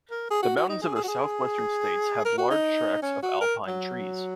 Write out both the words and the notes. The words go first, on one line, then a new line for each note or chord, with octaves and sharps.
The mountains of the southwestern states have large tracts of alpine trees.
A#4
G#4
F#4
F#4
D#4
G#4
G#4
F#4
G#4
A#4
F#4
D#4
C#4
F#4
A#4
F#3